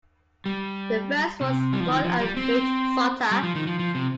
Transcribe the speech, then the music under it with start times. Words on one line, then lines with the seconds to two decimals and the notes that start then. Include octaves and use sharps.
The first was Ron and Rich Sutter.
0.46 G3
1.41 C3
1.73 G3
1.80 F3
1.88 D#3
2.04 F3
2.20 G3
2.37 C4
3.31 G3
3.43 F3
3.55 D#3
3.67 F3
3.79 F3
3.95 C3